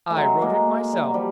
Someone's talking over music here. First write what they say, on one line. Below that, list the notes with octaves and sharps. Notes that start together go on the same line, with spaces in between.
"I wrote it myself."
A3
F#3 G#3
G#3 A#3
G3
F#3
F3 G3